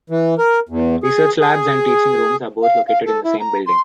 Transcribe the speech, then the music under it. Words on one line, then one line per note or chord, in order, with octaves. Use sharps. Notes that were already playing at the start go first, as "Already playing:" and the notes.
Research Labs and teaching rooms are both located in the same building.
E3
A#4
E2
G#4
G#4
F5
F5
A4
E4
A#5
C6